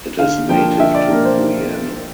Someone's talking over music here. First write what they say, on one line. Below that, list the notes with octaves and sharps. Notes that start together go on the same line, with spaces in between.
It is native to Guyana.
D3 F5
F3 A#3 D4 G5
D3 E5
D5
F3 A#3 D4 A#4
C5